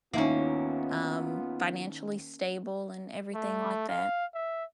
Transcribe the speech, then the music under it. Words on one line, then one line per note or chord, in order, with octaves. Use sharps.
um, financially stable, and everything like that.
D#2 G#2 A#3 B3 C#4 E4 F4
A3
F5
E5